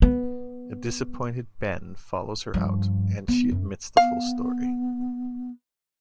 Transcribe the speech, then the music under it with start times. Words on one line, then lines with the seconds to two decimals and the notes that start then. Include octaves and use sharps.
A disappointed Ben follows her out and she admits the full story.
0.02 B3
2.54 G2 F3
3.28 B3
3.51 F#2
3.97 B3 F5